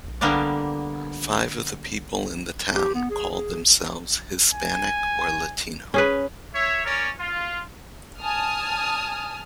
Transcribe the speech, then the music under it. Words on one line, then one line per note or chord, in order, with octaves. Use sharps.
Five of the people in the town call themselves Hispanic or Latino.
D3 G3 A#3 B3 D5
G4
B3
G#4
G#4
G#5
C#4 G#4 B4
C#5 E5
C#4 A#4 C#5 D5
F4
G#5 A5 D#6 F6